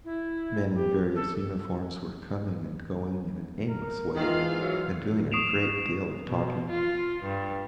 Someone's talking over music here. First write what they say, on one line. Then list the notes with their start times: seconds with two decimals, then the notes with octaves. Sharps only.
Men in various uniforms were coming and going in an aimless way, and doing a great deal of talking....
0.05 E4
0.74 G4
1.15 A4
3.68 A#4
4.16 G#2 D#3 E3 F4 F5
4.60 F#3
5.32 C#6 D#6 C7 D7 E7 F7
6.26 B2
6.70 F4
7.23 G2